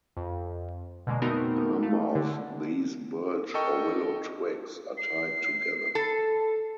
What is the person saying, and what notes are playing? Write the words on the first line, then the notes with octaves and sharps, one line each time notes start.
A number of these birch or willow twigs are tied together.
F2
B2 D3 G#3 A#3
A3 B3 C4 D#4 F#4 A#4
A3 F5
D3
A4 A#4 D#5 G5 C#6
C7
A4